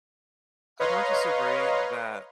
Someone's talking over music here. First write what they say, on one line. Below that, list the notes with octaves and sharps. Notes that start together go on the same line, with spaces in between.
I don't disagree that
B4 C#5 D#5 F5 A#5 C6